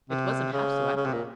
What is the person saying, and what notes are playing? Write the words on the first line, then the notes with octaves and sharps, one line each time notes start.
It wasn't half so active.
C3
C#3
C#3
C3
A#2